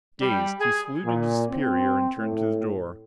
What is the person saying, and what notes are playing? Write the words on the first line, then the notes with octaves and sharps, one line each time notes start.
Dazed, he saluted his superior and turned to the door.
G3
G#4
A#2
C4
A2